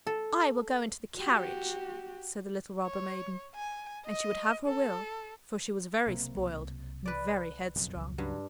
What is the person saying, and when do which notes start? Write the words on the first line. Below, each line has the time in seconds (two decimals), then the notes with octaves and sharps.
"I will go into the carriage," said the little robber maiden; and she would have her will, for she was very spoiled and very headstrong.
0.07 A4
1.17 F#4 G4
2.83 C#5
3.55 G#5
4.06 D#5
4.66 A4
6.07 B1 C3 A#3
6.35 C2 F#3
7.06 B4 D5
7.76 F#1 B1 F2
7.95 C#2
8.18 G2 C#3 F#3